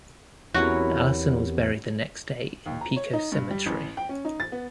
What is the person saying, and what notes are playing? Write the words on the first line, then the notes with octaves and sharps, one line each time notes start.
Allison was buried the next day in Pecos Cemetery.
E2 F#3 C4 C#4 E4 F#4 G4 A#4
D#2
A#5
C#5
D#4
G2
G3
A1
G5
C#4
D#4
A6
B3